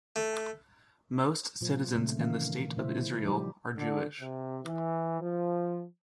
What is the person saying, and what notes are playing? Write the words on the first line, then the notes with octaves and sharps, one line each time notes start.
Most citizens in the State of Israel are Jewish.
A3
A#2 F#3 F4 C5
A#2 C#3 A3 C4
D#3 E3 C#4 A#4 E5 F5
A#2 C#3 G#3 E4 C5 E5
E4
F3 G3 D#4 G4
D3
C3
E3
F3